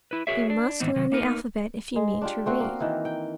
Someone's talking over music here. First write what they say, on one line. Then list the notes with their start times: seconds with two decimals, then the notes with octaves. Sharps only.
You must learn the alphabet if you mean to read.
0.11 E4 B4
0.27 F#4 G#4 A#4 C#5 E5
0.50 D4
0.80 G#2 D#3 E3 B3 C4 D#4
0.96 C3 D#3 F#3
1.12 A#3 D#4 A#4 B4
1.96 G#3
2.22 D4 F4 G4
2.46 A3 C4 F#4
2.60 A#3 A#4
2.80 D#3 E3
3.05 G5